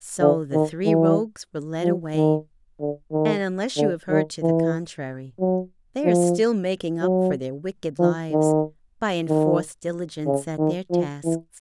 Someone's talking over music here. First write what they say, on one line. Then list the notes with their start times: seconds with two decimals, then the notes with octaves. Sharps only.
So the three rogues were led away, and unless you have heard to the contrary, they are still making up for their wicked lives by enforced diligence at their tasks.
0.21 D3
0.53 D#3
0.85 E3
1.83 F3
2.16 D#3
2.80 D3
3.12 D#3
3.77 D3
4.10 D#3
4.42 E3
5.40 F#3
6.05 F3
7.02 F#3
7.99 F3
8.32 D#3
9.29 D#3
10.26 C#3
10.58 D#3
10.91 F3
11.24 E3